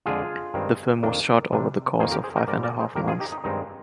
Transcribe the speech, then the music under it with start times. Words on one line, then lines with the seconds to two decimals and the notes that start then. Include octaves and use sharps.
The film was shot over the course of five-and-a-half months.
0.06 F2 D3 G#3 F4 G#4
0.54 G2 D#3 G#3 C4
1.03 F2 D#3 A#3 D4
1.51 C3 G3 D4
1.99 F2 D#3 A#3 G#4 C5
2.11 G4 A#4
2.24 G#4 C5
2.36 G4 A#4
2.48 G#2 G3 C4 A#4 D5
2.63 A#4 D5
2.80 G#4 C5
2.95 F2 D#3 A#3 D4 G4 A#4
3.08 F4 G#4
3.20 D#4 G4
3.32 D#4
3.44 G2 D#3 G#3 C4 D#4